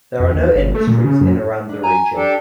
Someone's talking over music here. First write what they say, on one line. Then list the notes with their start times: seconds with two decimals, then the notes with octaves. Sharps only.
There are no industries in around the region.
0.20 F2
0.34 D#2
0.54 G1
0.75 A3
0.87 A#2
1.04 C#3
1.21 F#2
1.69 D4
1.83 G#5 A#5
2.15 D4 G4 A4